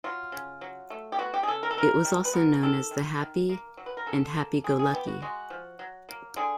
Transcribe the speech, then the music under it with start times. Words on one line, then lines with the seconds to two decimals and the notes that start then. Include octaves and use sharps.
It was also known as The Happy, and Happy Go Lucky.
0.04 F#3 F4
0.32 C#3
0.61 F#3
0.90 A3
1.12 G4
1.19 B3 F#4
1.34 G4
1.43 G#4
1.48 C#3 A4
1.63 A#4
1.71 A4
1.77 E3 A#4
2.05 G3
2.25 B4
2.33 B3 A#4
2.62 D#3 A4
2.91 D#3
3.21 D#3
3.49 A#3
3.77 F#3
3.86 B4
3.97 A#4
4.06 C#3 A4
4.35 A#3
4.64 D3 G#4
4.79 G#4
4.94 B3 G4
5.07 F#4
5.22 G#3 F#4
5.50 F3
5.79 F#3
6.09 A#3
6.36 D3 G#4